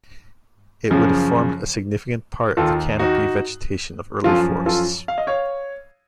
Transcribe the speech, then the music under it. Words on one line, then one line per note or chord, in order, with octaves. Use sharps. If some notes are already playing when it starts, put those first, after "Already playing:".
It would have formed a significant part of the canopy vegetation of early forests.
F#2 C#3 F3
D#2 D#3 F4 A4
D#4 F#4
F#2 F3 F4 A4
F4 A4
F5
D#5
C#5 F5